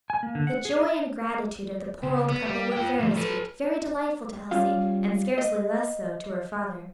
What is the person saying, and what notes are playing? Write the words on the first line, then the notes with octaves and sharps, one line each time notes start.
The joy and gratitude of the poor old couple were very sweet, very delightful to Elsie, and scarcely less so to her father.
G#5
A#3
D3
F#5
G#4
D#5
C#3
B3
G3
F4 G5
A2 F3
A4 B4
G3 C#4 F4 F5
D#5